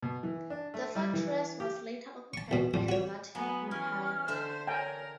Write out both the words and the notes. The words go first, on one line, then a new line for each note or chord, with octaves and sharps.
The fortress was later occupied by the Latin Empire.
B2
E3
D4
A3
G3
E3
G4
A5 C#6
E2 B2
A1 F2
F#4 C#5
F#3 B3 G#5
E3 C#4 F6
D3 C5 E5
A#4 C#5 G5 G#5